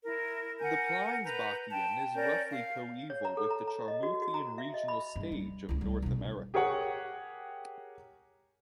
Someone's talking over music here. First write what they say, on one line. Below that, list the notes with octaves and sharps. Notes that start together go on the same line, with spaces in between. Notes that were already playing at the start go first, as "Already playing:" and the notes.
The Pliensbachian is roughly coeval with the Charmouthian regional stage of North America.
E4 A#4
A#4 F#5 G#5 G6
B4 A#5 G6
G5 A5
C#4 A#4 D5 G6
F5
C#5
A#5
A4
A#5
A#5
D#5
F#4
F#4
A#5
E5
D#5
B5
G2
G3
C#2 E4
G3
B1 C#3
G4 G#4 A#4 C#5 F#5